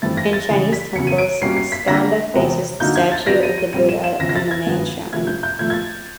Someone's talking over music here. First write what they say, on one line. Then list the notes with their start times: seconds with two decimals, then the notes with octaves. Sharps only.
In Chinese temples, Skanda faces the statue of the Buddha in the main shrine.
0.02 G2 E3 A3 C4 A6
0.17 A#6
0.33 A6
0.49 C#3 E3 G#3
0.73 B6
0.95 E2 C#3 F#3 C#7
1.07 D#7
1.18 D7
1.41 B2 G3 A#3 C#4 C7
1.57 C7
1.72 B6
1.87 D3 G3 A#3 D4 A#6
2.34 E2 C3 E3 G#3 C4
2.80 D3 F#3 A#3 D#4 G6
2.96 G#6
3.12 A6
3.26 B2 F#3 B3 D4 A#6
3.43 D#7
3.58 D#7
3.73 A#2 G3 C4 D#7
3.89 E7
4.04 E7
4.19 E2 C#3 F3 A#6
4.29 A#6
4.36 A6
4.51 G#6
4.66 G2 D#3 G#3 B3
5.12 C3 F3 A3 G#6
5.27 G6
5.43 G6
5.59 A#2 F3 A3 G#6
5.70 G#6
5.73 A6